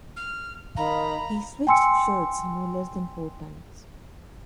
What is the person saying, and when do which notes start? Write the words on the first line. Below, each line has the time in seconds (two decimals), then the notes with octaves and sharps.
He 'switched' shirts no less than four times.
0.16 F6
0.77 D#3 F5 A#5 B5
1.67 G5 G#5 C6 E6 C#7